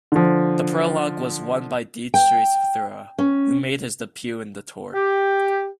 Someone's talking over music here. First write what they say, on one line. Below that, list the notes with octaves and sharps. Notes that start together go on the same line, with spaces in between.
The prologue was won by Dietrich Thurau, who made his debut in the Tour.
D3 F3
G5
C#4
G4